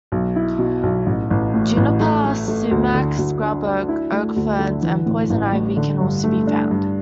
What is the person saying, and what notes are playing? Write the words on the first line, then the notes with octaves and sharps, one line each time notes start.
Juniper, sumac, scrub oak, oak ferns and poison ivy can also be found.
B1
E4
B2
B1
A1
A1
A2
A1
A3
A3
A3
D2
D3
D2
D4
D4
E4
A3
D2
D3
E3
A2
A1
A2
D3
G2
A3
D4
G2